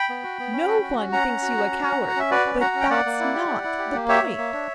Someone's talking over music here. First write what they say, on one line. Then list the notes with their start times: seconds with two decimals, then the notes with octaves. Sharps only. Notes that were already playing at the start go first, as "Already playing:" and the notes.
No one thinks you a coward, but that's not the point.
Already playing: G5 B5
0.09 B3
0.23 F#4
0.39 B3
0.53 C#4
0.68 F#4
0.83 F#4
0.98 C#4
1.12 C#4 F#5 A#5
1.28 C#4
1.42 F#4
1.57 C#4
1.72 F#4
1.87 C#4
2.01 F#4
2.09 F#5
2.16 C#4 E5
2.31 F#4 B4 D5
2.46 C#4
2.60 F#4 F#5 A#5
2.75 C#4
2.81 G5
2.90 A#3 D5 F#5
3.05 A#3
3.20 E4
3.34 G4
3.49 E4
3.64 E4
3.78 G4
3.94 A#3
4.09 G4 C#5 E5
4.24 A#3
4.38 A#3
4.53 D4